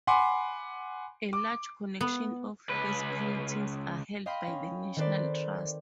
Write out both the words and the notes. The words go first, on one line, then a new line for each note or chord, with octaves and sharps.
A large collection of his paintings are held by the National Trust.
F#5 G#5 B5 C6 D6
D6
B3
C#2 B4
D#5 F5 G5 B5 C6
C#4
D#3 C4 A4 B4 C5 D5